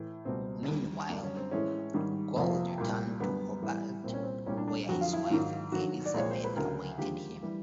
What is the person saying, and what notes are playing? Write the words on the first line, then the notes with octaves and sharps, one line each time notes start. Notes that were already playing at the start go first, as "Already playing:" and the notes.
Meanwhile, Gould returned to Hobart, where his wife Elizabeth awaited him.
Already playing: A2 E3
C#2 B2 G3 C4
D#2 D3 G3
F#2 D3 G3 D4
C#4
C4
A2 E3 G#3 C#4
G#2 D#3 G3
F2 C3 F3 A#3
C2 A#2 G3
F#2 D3 G3 B3
A2 E3 G3
C2 A#2 G3 C4
C#4
C4
C2 A#2 G3 C#4
D4
D4
F2 D3 F#3 F#4
F4
E4
F4
G#2 D#3 F#3
G2 D#3 F#3 F#4
D5
C2 A#2 F3 G#3 C#5
C5
B4
D2 C#3 F#3 A#4
D#2 D3 F3 G#3 G4
E3 G3